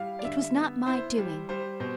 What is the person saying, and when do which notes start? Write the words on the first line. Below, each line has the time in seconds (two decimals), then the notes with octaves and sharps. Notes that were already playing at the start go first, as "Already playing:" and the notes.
"It was not my doing."
Already playing: G3 E4 F5
0.19 D5
0.24 D3 E5
0.55 B3
0.86 E4 C5
1.18 G3
1.49 G3 C5
1.80 B2 C5